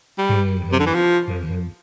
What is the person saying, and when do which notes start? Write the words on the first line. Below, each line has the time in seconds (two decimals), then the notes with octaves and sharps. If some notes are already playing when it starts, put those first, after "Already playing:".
Mhm, mhm.
0.18 G3
0.72 C3
0.79 D3
0.86 E3
0.95 F3